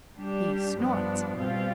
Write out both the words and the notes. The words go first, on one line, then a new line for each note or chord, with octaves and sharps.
He snorts.
G3 D4 G4
G2 F3 B3 D4
B2 G3 C4 F4